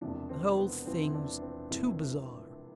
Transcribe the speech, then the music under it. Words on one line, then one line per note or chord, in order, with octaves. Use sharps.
"The whole thing's too bizarre."
E1 E2 C3 F3 D4
C4
B3
E1 E2 C3 F3 C4
E4
D4
C4
E1 E2 C3 F3 E4